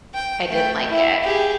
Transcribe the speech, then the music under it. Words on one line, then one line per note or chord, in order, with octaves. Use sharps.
I didn't like it.
G5
A3 G5
E4
G4 G#4